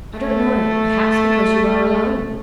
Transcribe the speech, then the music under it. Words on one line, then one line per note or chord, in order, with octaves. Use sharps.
"I don't know; perhaps because you are alone."
A3